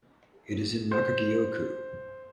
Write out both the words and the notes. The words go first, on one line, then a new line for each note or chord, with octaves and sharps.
It is in Nakagyo-ku.
C5